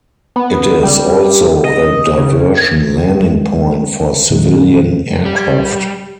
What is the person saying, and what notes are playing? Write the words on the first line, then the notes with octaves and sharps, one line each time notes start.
It is also a diversion landing point for civilian aircraft.
B3
G3
D#5
C#3
G3 G#3
A#2 D#3 F#3 G#3
G3